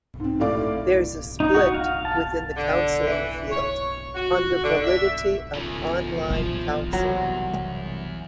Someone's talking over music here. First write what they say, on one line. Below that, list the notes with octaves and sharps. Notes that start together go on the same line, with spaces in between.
There is a split within the counseling field on the validity of online counseling.
G#2 C4
A2 A3 D5 F5 D6
D#4
F#4
F5
A5
D3
E3
C#5
F#4
D3
E5
E2 C#3 F3
A#1 F3
C2 F#3 E4